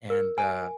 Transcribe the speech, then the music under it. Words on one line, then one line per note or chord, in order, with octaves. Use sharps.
and, uh,
A#4
G#5